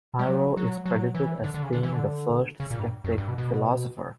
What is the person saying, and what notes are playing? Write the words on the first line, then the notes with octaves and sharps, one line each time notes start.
Pyrrho is credited as being the first Skeptic philosopher.
G3
F#3
F#3
F#3
E3
D3
D3
C#3
D3
E3
D3
C#3
A#2
G2
F#2
G2
B2
B2